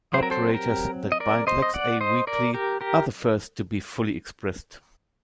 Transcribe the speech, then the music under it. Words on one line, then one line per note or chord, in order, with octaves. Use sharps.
Operators that bind LexA weakly are the first to be fully expressed.
F#3 C4 A#4 C5
A4 C5
G4 A#4
D#5
A#4 D5
C5 D#5
D#5
D5 F#5
C5 D#5
A#4 D5
G4 A#4
G4 A#4